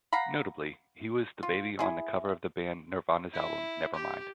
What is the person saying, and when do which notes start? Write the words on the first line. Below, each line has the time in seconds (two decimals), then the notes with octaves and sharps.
Notably, he was the baby on the cover of the band Nirvana's album "Nevermind".
0.13 F5 F#5 A#5 B5
1.43 F4
1.79 E4 G#4
3.34 E4
3.95 G4